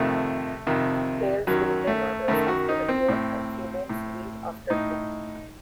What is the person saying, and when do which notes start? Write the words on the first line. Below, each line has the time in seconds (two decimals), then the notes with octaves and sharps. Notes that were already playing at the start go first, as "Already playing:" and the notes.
Males leave their mothers after a year and females leave after two.
Already playing: F2 C3 D#3 A3
0.67 F2 C3 D#3
1.47 F#2 D#3 F#3
1.87 A3
2.28 F#2 D#3 A3
2.48 F#4
2.69 D#4
2.89 C4
3.09 A2
3.90 A2
4.70 A2 D#4